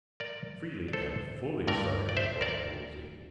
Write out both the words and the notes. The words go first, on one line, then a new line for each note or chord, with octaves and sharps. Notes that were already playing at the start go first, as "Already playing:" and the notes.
"Freely and fully, sire," replied Wolsey.
A#4 D5
D5
A4 C5
G2 E3 A3 A#4 D5
D5
C5 E5
A#4 D5